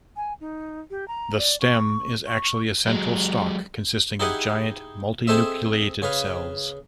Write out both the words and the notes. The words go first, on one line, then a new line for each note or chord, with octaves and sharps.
The "stem" is actually a central stalk consisting of giant, multinucleated cells.
G#5
D#4
G4
A#5
D5
C#6
C#6
F#3 G#3
D#4 E4 G4 G#4 D#5 F#5
C4 G#4 A4 C5 D#5 E5
C#3 G#4 B4 F5